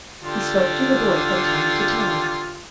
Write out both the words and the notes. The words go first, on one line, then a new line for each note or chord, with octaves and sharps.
He spoke to the boy from time to time.
D3 F4 G4